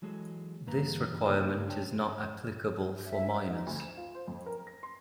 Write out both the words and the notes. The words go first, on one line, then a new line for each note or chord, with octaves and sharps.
This requirement is not applicable for minors.
E3 F#3 G#3 G#4 A4
G2 D3 E3 A#3 B4 A#5
C#3 A#3 D#4 A4 A#4 C5
D4 B4 C#5 G5 A5
C5
E5
D#4
D2
E7
F4
C5
F2
A#4
A#6
C6